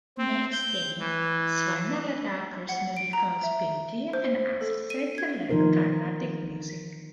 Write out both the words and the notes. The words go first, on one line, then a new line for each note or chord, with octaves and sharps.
Next day Swarnalatha personally calls pinky and asks her to learn Carnatic Music.
C4
G6
E3
F#5
D7
A#5
E5
C5
A4
D#7
G#6
D#3 F3 B3 D#4 A#4 C5